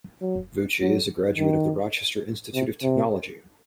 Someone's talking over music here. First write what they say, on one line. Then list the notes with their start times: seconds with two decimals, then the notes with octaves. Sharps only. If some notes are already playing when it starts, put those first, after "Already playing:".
Vucci is a graduate of the Rochester Institute of Technology.
0.21 F#3
0.80 F#3
1.38 D#3
2.54 C3
2.83 C3